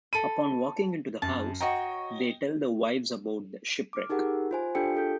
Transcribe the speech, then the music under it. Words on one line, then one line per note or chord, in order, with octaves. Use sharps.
Upon walking into the house, they tell the wives about the shipwreck.
A4 B5 D#7
F#2 A5
F#4 C#5 D#5 G5 A#5
D6 F6
D#4 G4 G#4 A#4 F#5
F4 C5 G#5
D4 F4 G4 A4 G5 C#7
G#4 A4 G6